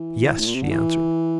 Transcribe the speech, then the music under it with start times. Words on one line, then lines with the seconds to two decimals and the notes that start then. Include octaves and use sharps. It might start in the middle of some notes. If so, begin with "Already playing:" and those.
"Yes," she answered.
Already playing: E3
0.39 A2
0.47 A#2
0.55 C3
0.63 D3
0.71 E3